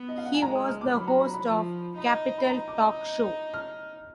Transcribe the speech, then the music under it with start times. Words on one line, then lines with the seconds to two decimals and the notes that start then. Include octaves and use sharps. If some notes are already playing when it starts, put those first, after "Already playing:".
He was the host of "Capital Talk Show".
Already playing: B3
0.09 D#5
0.18 F5
0.25 F#5
0.34 G#5
0.42 G#3 A#5
0.55 D#6
0.68 F6
0.81 D6
0.94 F#3 B5
1.08 A#5
1.20 B5
1.34 B5
1.46 F3
1.98 D#4 B5
2.38 B5
2.50 D#4 A#5
2.68 D6
2.84 D#6
3.54 F6